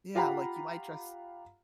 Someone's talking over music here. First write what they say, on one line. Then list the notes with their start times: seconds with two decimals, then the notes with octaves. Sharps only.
Yeah, like, you might dress
0.15 F4 G4 F5 F#5 A#5 B5